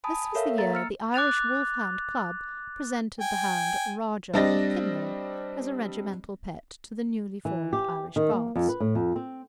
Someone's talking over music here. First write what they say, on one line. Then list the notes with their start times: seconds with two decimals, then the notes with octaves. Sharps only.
This was the year the Irish Wolfhound Club presented the hound Rajah of Kidnal as a regimental pet to the newly formed Irish Guards.
0.04 G#5 A5 B5 D#6
0.35 A4 A#4 C#5 E5 F5
0.58 A#3 A#5 A6
0.73 E6 F6 C#7
1.14 D6 F#6 A6 F7
3.20 G5 G#5
4.33 G3 C4 D4 D#5 A6 A#6
7.45 E3
7.73 G4
8.16 D#3
8.31 A#3
8.56 F2
8.69 B4
8.80 A2
8.95 F2
9.16 C4